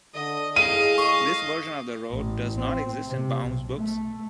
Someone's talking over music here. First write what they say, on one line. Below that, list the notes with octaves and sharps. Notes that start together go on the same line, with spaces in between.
This version of the road does not exist in Baum's books.
D3 D#5
A2 G#3 G#4 D#5 F5 D#7
C#6
A1
C4
C3
B1
A3